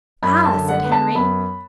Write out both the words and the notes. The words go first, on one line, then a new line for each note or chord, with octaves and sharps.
"Ah!" said Henry.
F#2 B5
A5
D3
F#5
B3
A5
F#2 B5